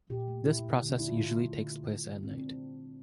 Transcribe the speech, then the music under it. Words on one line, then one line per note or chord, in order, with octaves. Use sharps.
This process usually takes place at night.
A#2 G4
A3
A#2 E4
A3
D3
D4
A3 E4
F4
D3 E4
A3
D3
G3 A#3
D3
G3 A#3
A#2 C4
D4
C4